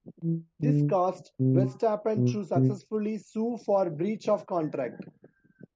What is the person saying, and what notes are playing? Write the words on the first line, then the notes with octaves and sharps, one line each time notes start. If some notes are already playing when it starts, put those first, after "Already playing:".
This caused Verstappen to successfully sue for breach of contract.
E3
D3
C3
B2
C3